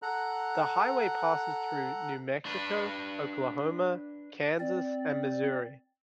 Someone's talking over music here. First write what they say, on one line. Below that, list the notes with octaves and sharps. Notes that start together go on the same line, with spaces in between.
The highway passes through New Mexico, Oklahoma, Kansas, and Missouri.
A4 F#5 A#5 F#6
D4 B4
C4 D5